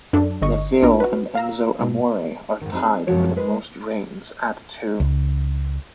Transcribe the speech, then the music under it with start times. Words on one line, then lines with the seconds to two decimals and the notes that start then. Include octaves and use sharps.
Neville and Enzo Amore are tied for the most reigns at two.
0.13 F#2 D4 A4
0.41 G1 D3 D#5 C#6
0.82 A#1 D4 F4 A#4
1.00 F#4 B4
1.35 F5 A#5 E6
1.79 G#2 B2
2.61 G#2 D#3
2.73 C4 D#4 G#4
3.07 F#2 C3 F3 G#3 F#4 C#5
3.36 G#3 A#4 B4
5.00 C#2